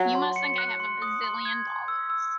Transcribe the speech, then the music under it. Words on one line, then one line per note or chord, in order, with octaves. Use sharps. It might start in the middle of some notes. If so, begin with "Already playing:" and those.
You must think I have bazillion dollars.
Already playing: F#3
C6
C#7
F#6
C6
D#6
C6
G#6
C6
E6
E6